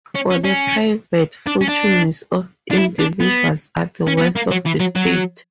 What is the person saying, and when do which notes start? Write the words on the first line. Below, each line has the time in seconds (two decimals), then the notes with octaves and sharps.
For the private fortunes of individuals are the wealth of the state.
0.15 C#4
0.30 C#4
0.44 C#4
1.47 D4
1.61 C#4
1.69 D4
2.71 D4
2.78 E4
2.99 D4
3.21 B3
4.08 C#4
4.18 C#4
4.22 B3
4.37 A#3
4.51 F#3
4.66 E3
4.80 F#3
4.95 F#3